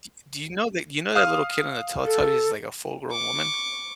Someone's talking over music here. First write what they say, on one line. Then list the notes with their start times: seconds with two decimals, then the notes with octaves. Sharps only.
Do y do you know that you know that little kid on the Teletubbies is like a full grown woman?
1.15 F5 D#6 F6
2.06 A4
3.11 C#6 D6